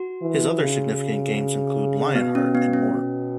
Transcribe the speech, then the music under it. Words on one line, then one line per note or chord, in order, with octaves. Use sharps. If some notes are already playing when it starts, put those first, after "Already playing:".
His other significant games include "LionHeart" and more.
Already playing: F#4
E3
C#3
B2 B3
C#4
B3
C#4
B2